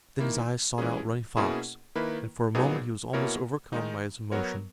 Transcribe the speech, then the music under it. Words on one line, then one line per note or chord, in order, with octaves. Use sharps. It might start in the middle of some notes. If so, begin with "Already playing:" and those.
Then his eyes sought out Running Fox, and for a moment he was almost overcome by his emotion.
D#3 A#3 E4
E3 G#3 C#4 G#4
B2 A#3 C#4 E4 G#4
D#3 A#3 E4 B4
A#2 F#3 B3 D#4 G#4
B2 A#3 E4 A#4 C#5
D#3 G#3 D#4
F#3 B3 F#4 A#4 C#5